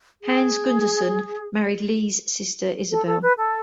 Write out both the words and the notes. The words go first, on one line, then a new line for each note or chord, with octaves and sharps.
Hans Gunderson married Lee's sister Isabel.
G#4
A4
A4
B4
A4